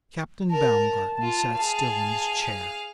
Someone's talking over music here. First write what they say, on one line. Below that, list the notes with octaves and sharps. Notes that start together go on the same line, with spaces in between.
Captain Baumgarten sat still in his chair.
A#4 A5
F4
G#4 F5